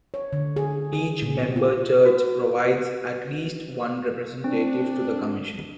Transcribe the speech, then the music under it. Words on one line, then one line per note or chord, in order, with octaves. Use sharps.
Each member church provides at least one representative to the Commission.
C#5
D3
G#4
G#4
A#2
C4
F4
F#4 B4
C4 D4